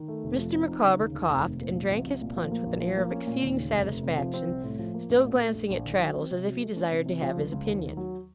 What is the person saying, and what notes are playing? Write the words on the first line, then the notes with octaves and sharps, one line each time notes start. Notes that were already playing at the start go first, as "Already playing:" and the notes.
Mr. Micawber coughed, and drank his punch with an air of exceeding satisfaction--still glancing at Traddles, as if he desired to have his opinion.
Already playing: D#3
A3
F1
F3
C4
D#4
C#3
D#2
D#3
F1
F1
A#2
F3
C2
C2
A#2
F3
A#3
A#1
F3
A#3
C#4
A#2
D#2
C#3
F1
F1
C3
F3
C4
C2
A2
F3
A#3
A1
A#2
A3
A#1
A#1
D#3
F#3
C4
C3
F#3
A3
C#4
C3
C3
F3
C#2
C#2
D#2
D#3
F#3